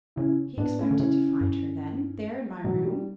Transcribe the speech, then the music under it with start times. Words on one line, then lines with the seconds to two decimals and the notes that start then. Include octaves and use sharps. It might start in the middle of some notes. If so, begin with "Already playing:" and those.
He expected to find her, then, there in my room?
0.16 C#3 C#4 E4
0.58 A2 B3 D4
0.79 A3 C#4
0.91 D3
1.00 C#3 C#4 E4
1.41 G2
2.64 B2 F#3
2.85 G3